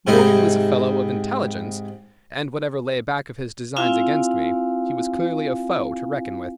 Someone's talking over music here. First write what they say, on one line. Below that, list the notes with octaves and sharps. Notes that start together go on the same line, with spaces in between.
Morgan was a fellow of intelligence and, whatever lay back of his designs against me, he was clearly a foe to reckon with.
G#2 C3 C4 D#4 E4
C4 E4 F4 F5 G#5